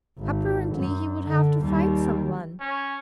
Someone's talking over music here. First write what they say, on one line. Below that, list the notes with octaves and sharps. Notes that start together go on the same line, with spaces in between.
Apparently, he would have to fight someone.
G#1
F#2
D3
D#2 G3
C#4